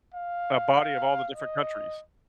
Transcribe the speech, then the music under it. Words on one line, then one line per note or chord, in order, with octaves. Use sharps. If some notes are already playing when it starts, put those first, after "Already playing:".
a body of all the different countries.
F5
D#5